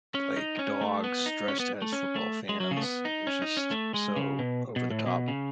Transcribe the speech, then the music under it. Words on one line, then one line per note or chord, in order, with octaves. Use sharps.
like, dogs dressed as football fans, it was just so over the top.
C#4
D#4
C#4
A3
B3
D#4
C#4
B3
A3
C#4
A3
G#3
F#3
C#3
A3
B3
D#4
C#4
D#4
C#4
A3
G#3
C#3
B2
B2
A2
B2
C#3